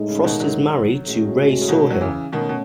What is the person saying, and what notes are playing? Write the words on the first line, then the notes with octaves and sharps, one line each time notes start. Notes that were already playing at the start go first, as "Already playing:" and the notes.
Frost is married to Ray Sawhill.
Already playing: A2 G#3 D#4
C#3
C#3
B2 D#3
D#3 F#3
A2 G#3 C#4 F#4
C#3
B2 D#3
F#3
C#3 E3
B2 D#3 A3 C#4
B2